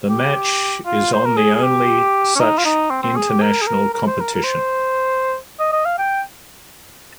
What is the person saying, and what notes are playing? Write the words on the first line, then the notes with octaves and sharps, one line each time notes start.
The match is the only such international competition.
G4
F4
C5
A#4
G#4
G#4
G4
C#4
D#4
F4
D#4
C4
C4
G#4
G4
A#4
G#4
A#4
A#4
C5
A#4
A#4
C5
D#5
D#5
F5
G5